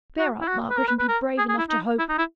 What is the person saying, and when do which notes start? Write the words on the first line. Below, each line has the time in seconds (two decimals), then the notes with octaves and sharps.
Bear up, Margaret, and be brave enough to hope!'
0.19 F#4
0.41 E4
0.48 F#4
0.70 B4
0.78 A#4
0.88 B4
0.99 B4
1.08 A#4
1.38 G#4
1.48 G#4
1.58 E4
1.69 D#4
1.98 E4
2.09 D#4
2.18 E4